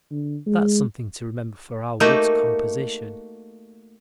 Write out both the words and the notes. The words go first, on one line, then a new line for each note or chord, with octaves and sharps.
That's something to remember for our woods composition.
D3
G#3
A3 A#3 D#4 F#4 G4